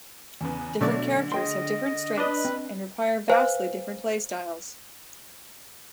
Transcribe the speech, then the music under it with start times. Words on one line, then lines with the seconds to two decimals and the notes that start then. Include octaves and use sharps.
Different characters have different strengths and require vastly different playstyles.
0.41 E2 C#3 B3
0.81 B2 D3 F#3 A3 D5
1.32 G#4 D#5 G5 C6
2.17 D4 B4 D#5
2.45 C4
3.29 B4 C5 F5 G#5